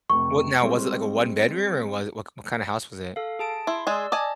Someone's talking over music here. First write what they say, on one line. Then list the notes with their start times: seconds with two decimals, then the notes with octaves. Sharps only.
What now was it like a one bedroom or was it what what kind of house was it?
0.10 F1 C3 C#6
0.62 G3 G#3 C4
3.16 A4 F5
3.39 G#4 A5 D7
3.67 E4 C6
3.87 G#3 G#4 D5 E6
4.12 D5 D#5 G#5 A5